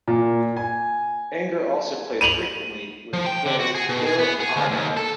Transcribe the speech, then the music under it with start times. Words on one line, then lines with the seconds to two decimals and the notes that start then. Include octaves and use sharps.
Anger also plays frequently with pianist Phil Aaberg.
0.08 A#2
0.57 G#5
2.21 D#7 F7 F#7
3.13 F3
3.26 G5
3.46 D3
3.60 F#4
3.75 G#4
3.89 B2
4.06 G#4
4.19 B3
4.40 G#4
4.56 D2
4.71 D#2
4.97 A4